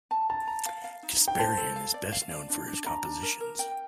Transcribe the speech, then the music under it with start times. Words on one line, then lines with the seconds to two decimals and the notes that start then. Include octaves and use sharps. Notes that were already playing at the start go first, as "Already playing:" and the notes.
Kasparyan is best known for his compositions.
0.11 A5
0.30 A5 A#5
0.47 A#5
0.66 F5
0.84 F5
1.03 D#4
1.21 D#4
1.28 G5
1.39 C5 A5
1.58 A4
1.76 F5
1.94 D5
2.12 F5
2.31 D5
2.50 D4
2.67 D4
2.86 D4 A#5
3.05 D4
3.23 A#4
3.41 A#4
3.59 G5